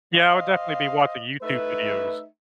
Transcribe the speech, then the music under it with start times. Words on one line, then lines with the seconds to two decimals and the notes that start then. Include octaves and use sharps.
Yeah, I would definitely be watching YouTube videos.
0.14 C5 D#5 F5
1.42 A3 D#4 B4 E5